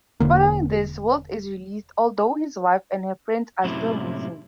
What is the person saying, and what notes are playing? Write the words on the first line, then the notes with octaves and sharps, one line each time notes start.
Following this, Wilt is released, although his wife and her friends are still missing.
E1 F2 D3 A#3
F#2 A2 C3 F#3 A#3 E4